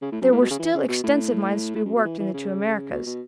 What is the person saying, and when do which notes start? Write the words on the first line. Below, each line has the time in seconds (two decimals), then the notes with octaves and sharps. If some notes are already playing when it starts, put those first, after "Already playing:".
There were still extensive mines to be worked in the two Americas.
0.02 C#3
0.12 A2
0.21 F#2
0.32 A2
0.41 B2
0.50 C#3
0.59 E3
0.74 C#3
0.89 B2
1.04 A2
1.76 A2
1.85 F#2
1.95 B2
2.05 E3
2.20 E3
2.33 C#3
2.92 B2
3.06 B2